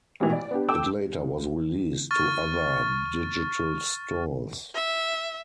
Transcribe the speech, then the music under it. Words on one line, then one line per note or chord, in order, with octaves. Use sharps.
It later was released to other digital stores.
A1 G#2 B2 D#3 E3
D5
B3 D4 G4
A4 G5 D6 E6
C#6 F6 A6
E5